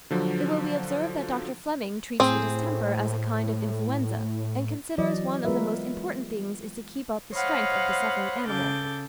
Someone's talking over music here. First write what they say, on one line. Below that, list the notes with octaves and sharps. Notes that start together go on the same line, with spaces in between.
It will be observed that Dr. Fleming treats the distemper as a kind of influenza, and considers one of the most important things is to keep up the strength of the suffering animal.
D3 F3 F#3
A2 C4 G#4
E3 F#3 D5 D#5
G#3 B3 F4 A#4 B4 E5
C5 C#5 D#5 F5 F#5 B5
C#3 A4 D6 G6